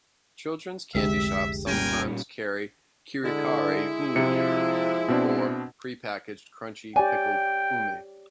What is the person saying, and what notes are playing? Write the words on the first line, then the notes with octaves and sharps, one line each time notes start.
Children's candy shops sometimes carry "karikari ume", or prepackaged, crunchy pickled ume.
F1 C2 D3 G#3 G4 E5
A#2 G3 C#4 A#4 G5 G#5
D3 G#3 E4
C3 F3 C#7
B2 C4 D4
G4 C#5 D5 G5 G#5